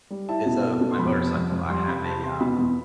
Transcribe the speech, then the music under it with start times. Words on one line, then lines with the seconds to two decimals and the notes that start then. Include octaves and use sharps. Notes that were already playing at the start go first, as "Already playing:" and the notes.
is of my motorcycle. I have a, um
0.10 G3
0.29 E4 A5
0.46 B2
0.64 A3
0.81 B2
0.91 C6
0.99 F2 B5
1.17 C3
1.35 F2
1.52 F2
1.69 G3 C6
1.88 C3 B5
2.04 C3 A5
2.23 C3 C6
2.40 B2 B5
2.58 E2